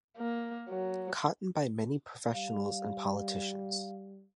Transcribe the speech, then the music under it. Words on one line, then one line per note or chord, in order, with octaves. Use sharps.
Cotton by many professionals and politicians.
A#3
F#3
G3 F5